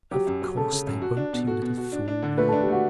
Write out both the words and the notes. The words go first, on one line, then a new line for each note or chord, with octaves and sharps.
"Of course they won't, you little fool, you."
F#3 G4
F#2
F#3
C#3 A4
C#3
F#2
F#4
D4
B2
F#4 A4
B2
F#4
D4
D4
D3
A3 B4
D4 A4
G4
A3 F#4